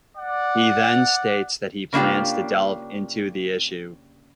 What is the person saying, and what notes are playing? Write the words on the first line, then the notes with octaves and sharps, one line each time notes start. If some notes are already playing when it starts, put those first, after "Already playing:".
He then states that he plans to delve into the issue.
D5 F#5
C#3 A#3 D4 F4 G4